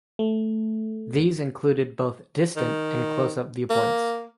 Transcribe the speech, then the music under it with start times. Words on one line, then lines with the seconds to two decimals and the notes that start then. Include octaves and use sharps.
These included both distant and close-up viewpoints.
0.19 A3
2.56 D#3
3.70 A#3